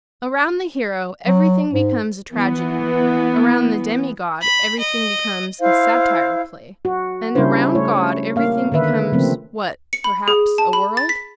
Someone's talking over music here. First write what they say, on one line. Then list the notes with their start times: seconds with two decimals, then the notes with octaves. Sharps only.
Around the hero everything becomes a tragedy; around the demigod everything becomes a satyr-play; and around God everything becomes--what? perhaps a "world"?
1.27 F#3
1.73 G#2
2.32 E3 B3
4.41 B5
4.80 D#5
5.59 E4 C5 F5
6.85 F#4
7.35 C#3 G3 C#4 D4 E4 C5
7.75 A3 C#5
8.36 A#3 F5
8.72 D3 D#3 B4 E5
9.12 C#3 F3 A3 A#3 C4
9.93 C#7
10.04 B5
10.28 G#4
10.58 A5
10.73 B5
10.97 A6
11.09 B6